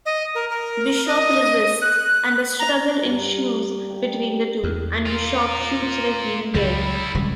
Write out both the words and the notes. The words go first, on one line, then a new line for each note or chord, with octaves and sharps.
Bishop resists, and a struggle ensues between the two, and Bishop shoots Raheem dead.
D#5
A#4
A#4
D#5
F#6
A#5
G2 A#4
G4 G5
E2
F4 A#4
C#2 F#3 G3 E4
D#1 C#2 G3